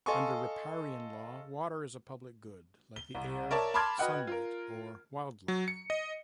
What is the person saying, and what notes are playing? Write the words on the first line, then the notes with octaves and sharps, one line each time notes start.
Under riparian law, water is a public good like the air, sunlight, or wildlife.
A4 D#5 F5 G#5 C6 C#6
G7
C2
A#4 C#5 D5 E5 A5
A5 B5 C6 D6 F6 G#6
F#4 B4 D#5 F#5 G5
F4 A#4
F#3
C#7
D#5